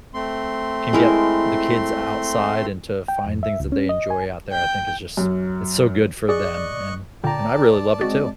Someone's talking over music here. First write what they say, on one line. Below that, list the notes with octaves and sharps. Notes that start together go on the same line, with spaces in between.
can get the kids outside and to find things that they enjoy out there, I think is just, it's so good for them, and and I really love it too.
A3 C4 C6
G#3 E4 A#4
G5
F2
E5
C#2
C#4
D#5
G#5
G5
F#2
G#4 D5 D#5 C#6 F#6
A#2 D3 D5 G5 A5 A#5
G#3 C4 F#4 D#5 A6